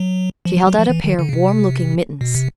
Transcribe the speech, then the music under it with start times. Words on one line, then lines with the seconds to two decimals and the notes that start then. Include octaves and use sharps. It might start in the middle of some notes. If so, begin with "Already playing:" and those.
She held out a pair of warm-looking mittens.
Already playing: F#3
0.45 F3
0.57 F#3
0.67 F#3
0.79 F3
0.90 E3
1.04 D#3
1.19 D3
1.29 C#3
1.33 C3
2.21 B2
2.35 C3